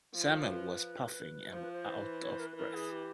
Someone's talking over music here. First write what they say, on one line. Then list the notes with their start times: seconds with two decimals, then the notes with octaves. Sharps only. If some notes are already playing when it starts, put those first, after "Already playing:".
Samuel was puffing and out of breath.
0.14 F3
0.25 A4
0.37 A#4
0.48 B4
1.52 F3 C5
1.62 B4
1.72 C5
1.86 E3
2.22 C#5
2.30 C5
2.39 A#4
2.47 B4
2.56 E3 A#4
2.74 G#4
2.91 G4